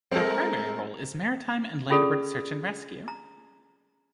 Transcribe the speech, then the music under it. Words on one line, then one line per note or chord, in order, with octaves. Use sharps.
Their primary role is maritime and landward search and rescue.
G3 G#3 C4 A4 A#4
C#4 F4 G#4 A4 D5
A#5